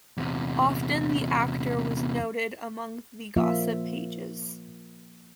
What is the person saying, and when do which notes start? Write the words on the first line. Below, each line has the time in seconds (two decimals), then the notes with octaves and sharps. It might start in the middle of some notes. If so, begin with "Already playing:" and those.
Often the actor was noted among the gossip pages.
0.17 E2 C3
3.36 F3 A#3 F4 E5